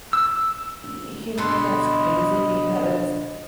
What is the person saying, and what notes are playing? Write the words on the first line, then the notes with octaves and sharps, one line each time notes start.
Y you know, that's crazy because
E6
B2 D3 A4 B4 D#5 C6